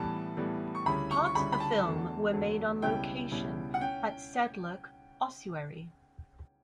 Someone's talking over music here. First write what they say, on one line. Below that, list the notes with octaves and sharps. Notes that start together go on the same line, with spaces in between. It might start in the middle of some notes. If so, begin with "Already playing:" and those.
Parts of the film were made on location at Sedlec Ossuary.
Already playing: A2 E3 G3 B3 A5
A2 E3 G3 B3
C#6
D2 C#3 G3 C#4 E4 B5
C#6
C#6
D2 C#3 G3 C#4 E4 B5
B5
A5
E2 D3 F#3 A3
E2 D3 F#3 A3
C#2 B2 G3 C#4 E4 G5
C#2 B2 G3 C#4 E4
F#5
C#4 G5